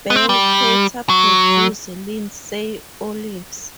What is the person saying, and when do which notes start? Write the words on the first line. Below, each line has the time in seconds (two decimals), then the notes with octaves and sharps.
Bell Carter produces Lindsay Olives.
0.10 B3
0.16 C4
0.29 G3
1.09 F#3